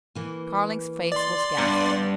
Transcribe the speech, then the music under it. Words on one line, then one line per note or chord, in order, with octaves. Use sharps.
Carling's face was ghastly.
E3 A#3
D5 C6
G2 B3 D4